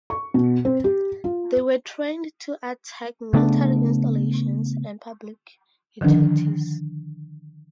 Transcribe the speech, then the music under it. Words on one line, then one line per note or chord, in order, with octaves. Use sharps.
They were trained to attack military installations and public utilities.
C#6
B2
C4
G4
F4
C#3 A3 B3 D4
D3 D#3 F3 D4